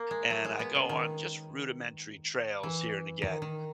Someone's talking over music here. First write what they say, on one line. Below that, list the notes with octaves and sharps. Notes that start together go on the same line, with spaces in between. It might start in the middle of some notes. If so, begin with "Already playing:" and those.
and I go on just rudimentary trails here and again,
Already playing: A#3
G#3
F#3
G#3
B3
C#3
D#3
E3
D#3
D#3